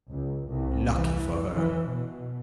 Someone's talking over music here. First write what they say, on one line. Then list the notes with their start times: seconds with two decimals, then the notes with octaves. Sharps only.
Lucky for her!
0.11 C#2
0.49 C2
0.94 E3
1.54 E3
1.89 B2